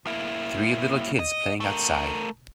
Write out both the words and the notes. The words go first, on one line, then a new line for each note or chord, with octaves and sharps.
Three little kids playing outside.
A#3 E4
D#5
A3 A#4